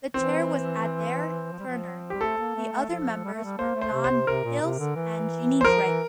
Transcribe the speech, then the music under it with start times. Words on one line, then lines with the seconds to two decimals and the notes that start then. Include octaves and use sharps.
The chair was Adair Turner, the other members were John Hills and Jeannie Drake.
0.14 E3 C4
1.52 F3
1.59 G3
1.67 F3
2.10 G3 G4
2.21 A3 A4
2.38 A#3
2.55 A3
2.72 A3
2.89 F3
3.24 G3
3.33 A3
3.44 G3
3.58 A#3 C5
3.75 A3
3.81 C5
3.92 C3
4.04 C5
4.11 C3
4.27 C3 A#4
4.44 A#2
4.62 C3
4.79 D3
4.96 E3
5.61 C5
5.64 F3 A#4
5.83 E3